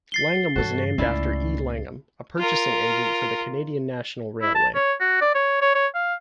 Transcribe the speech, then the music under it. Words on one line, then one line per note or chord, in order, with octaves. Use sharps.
Langham was named after E. Langham, a purchasing agent for the Canadian National Railway.
A6 C7 G7
G2 E3 F#4 A4 C#5
C#2 G#2 A3 C#4 E4 D5
F4 A#4
E4
A5
C#5
F#4
D5
C#5
C#5
C#5
F5